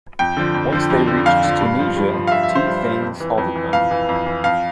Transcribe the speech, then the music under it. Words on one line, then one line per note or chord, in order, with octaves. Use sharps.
Once they reached Tunisia two things halted them.
F2 G5
D3 F3
F2
D3 F3
F2
D3 F3
F2 F5
D3 F3
G2
F3
G2
F3
F5
G2 E5
E5
F3
C5
G2
F3
F2
E3
F2
E3
F2 F5
E3
F2
E3
F2 F5